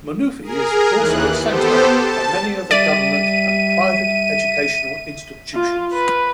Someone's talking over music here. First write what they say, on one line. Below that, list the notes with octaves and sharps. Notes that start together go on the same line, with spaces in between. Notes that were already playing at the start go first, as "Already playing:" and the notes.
Mannuthy is also a center for many of the government and private educational institutions.
G#4 A#4
D#2 E3 F#6
B3 G4 A4 C5
A5
G3 D5 E5 D#7
F4
B4